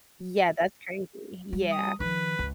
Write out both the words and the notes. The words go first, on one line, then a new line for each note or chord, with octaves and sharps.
Yeah, that's crazy. Yeah.
G3
D#6
D#3 F3 B4
C#2